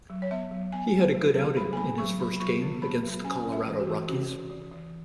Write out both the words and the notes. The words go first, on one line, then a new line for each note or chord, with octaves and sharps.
He had a good outing in his first game, against the Colorado Rockies.
F#3
C#5
B3 E5
F#3
B3 G#5
B3
F#3
B3
F#3 B5
G#5
B3 B5
F#3 C#6
F#3 B5
B5
F#3 C#6
B3
B3 B5
F#3
C#4 G#5
C#4
E5
E3
F#4
E3
C#4 F#4
E3
E3
E3